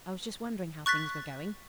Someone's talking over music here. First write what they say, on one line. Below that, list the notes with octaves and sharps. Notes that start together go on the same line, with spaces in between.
"I was just wondering how things were going."
C#6 F#6 A6 B6